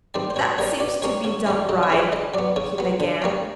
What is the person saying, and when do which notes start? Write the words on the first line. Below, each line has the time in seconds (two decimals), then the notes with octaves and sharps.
'That seems to be done right--' he began.
0.14 D#3 G3 C4 D5
0.30 C5
0.36 B2 C#5
0.58 G3 A#3 C#4 C#5
0.80 B2 D5
1.02 G3 A#3 C#4 C#5
1.24 C#3 C#5
1.46 F3 G#3 C#4 D5
1.69 C#3 D#5
1.83 C#5
1.90 F3 G#3 C#4
2.12 C#3 D#5
2.34 F#3 B3 D5
2.56 C#3 C#5
2.78 F#3 B3
3.00 D3
3.22 G3 A#3 C#4